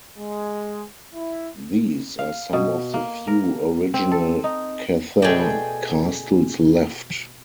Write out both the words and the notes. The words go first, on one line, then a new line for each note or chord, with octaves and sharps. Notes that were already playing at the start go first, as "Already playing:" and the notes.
These are some of the few original Cathar castles left.
G#3
E4
F5
B2
A#3
A#4
C4
A4
D#4
B2 A3 G#4 D5 G5